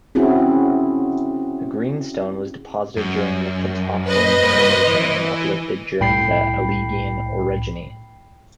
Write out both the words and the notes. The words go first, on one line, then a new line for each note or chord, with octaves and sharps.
The greenstone was deposited during the Catoctin Formation and uplifted during the Alleghenian Orogeny.
C4 C#4 E4 F#4 G#4
F#2
B4 C5 D#5
G2 A#3
E3
C2 A2 G5 B5 C7